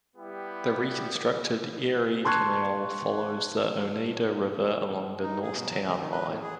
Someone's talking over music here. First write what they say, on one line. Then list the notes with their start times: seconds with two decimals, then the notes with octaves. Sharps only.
The reconstructed Erie Canal follows the Oneida River along the north town line.
0.16 G3 B3 E4 G4
2.25 A5 C6 C#6 F#6 G#6
5.23 D#4
5.42 G#4
5.57 B2
5.70 F#3
5.83 D2
6.00 D#3
6.12 B4
6.29 A2
6.42 G#4